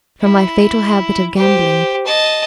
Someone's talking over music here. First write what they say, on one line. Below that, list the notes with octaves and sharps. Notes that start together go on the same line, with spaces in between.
From my fatal habit of gambling.
E4
G4 C5
D#5 A5